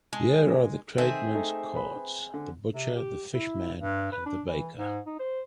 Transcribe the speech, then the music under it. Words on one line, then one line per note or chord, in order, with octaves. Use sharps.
Here are the tradesmen's carts — the butcher, the fish-man and the baker.
G#3
D#3 C4 G#4 A4 E5
A3 D#4 A4
B4 B5
D3
C3
G4
E4
G2
B4
D4
E3
G#2
D#4
C5